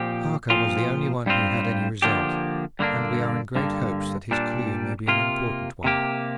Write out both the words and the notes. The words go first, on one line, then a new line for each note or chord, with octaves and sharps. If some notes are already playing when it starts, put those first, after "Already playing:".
Harker was the only one who had any result, and we are in great hopes that his clue may be an important one.
Already playing: A#2 F3 C4 G4
A#2 F3 C4 F4
G2 G3 C4 F4
D3 F3 A#3 D4 G4
G2 D3 A#3 D4
G2 D3 A#3
A#2 G3 D4
C3 A#3 F4
C3 A#3 G4